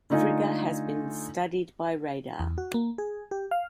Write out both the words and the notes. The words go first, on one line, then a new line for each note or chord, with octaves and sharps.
Frigga has been studied by radar.
D3 A3 D#4 F4 D#5 G#5
E2
F#4
A#3
G#4
G4
F5